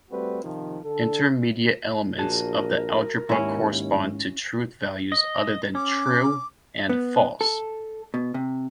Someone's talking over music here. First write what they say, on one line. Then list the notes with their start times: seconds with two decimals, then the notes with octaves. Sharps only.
Intermediate elements of the algebra correspond to truth values other than "true" and "false".
0.11 G3 A3 C4 F#4 B4
0.42 C3 D#3 F3
0.83 D3 A4
2.18 A#1 F#4 G#4 A#4 A5
3.29 D#2 G#2 C#4 E4
5.12 D#5
5.75 C#4 D6
6.89 B3
7.41 A4
8.14 B2
8.34 C3